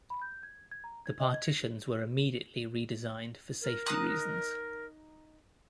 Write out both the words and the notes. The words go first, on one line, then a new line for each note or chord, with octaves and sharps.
The partitions were immediately re-designed for safety reasons.
B5
G6
G#6
G#6
A#5
G#6
D#5
G#6
A#6
A#4
D#4 D#6 F#6